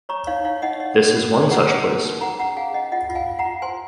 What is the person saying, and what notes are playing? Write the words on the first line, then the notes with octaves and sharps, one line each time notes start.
This is one such place.
C#5 A#5 C#6
D#4 C#5 F5
D#4 C#5 F5
D#4 D#5 F#5
C#5 D#5
F#4
F#4
C#5
C#5 F#5 A#5
C#5
F#4
D#4
G#4 F#5 A#5
C#4 F#5 A#5
G#4 F5 G#5
C#4 D#5 F#5
F4 D#5 F#5
F4
F5 G#5
F4
F#5 A#5
F4
C5 G#5 C6